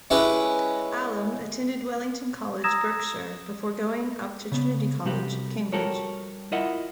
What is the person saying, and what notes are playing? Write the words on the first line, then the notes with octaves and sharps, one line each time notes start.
Allom attended Wellington College, Berkshire, before going up to Trinity College, Cambridge.
G#3 C#4 E4 G4 B4
A#5 D#6 E6 G#6 A#6 E7
C#3 B3
C3 G3 F#4 G4
G3 F#4 A4 A#4 C#5
E4 F4 A#4 D#5 E5 F#5